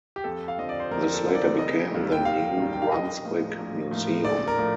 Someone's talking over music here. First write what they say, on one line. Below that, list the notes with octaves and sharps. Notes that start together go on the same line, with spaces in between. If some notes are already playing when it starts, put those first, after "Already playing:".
This later became the New Brunswick Museum.
G4
F2 A4
F5
D3 F3 C4 D#5
D5
C5
F2 A#4
A4
D3 F3 C4
D5
F1 D#5
D#2 D#3 G3
G5
F1 F5
D#2 D#3 G3
G5
F5
A#1 D#5
A2 F3 A#3
A#1
A2 F3 A#3
A#1 D5
A#4
A2 F3 A3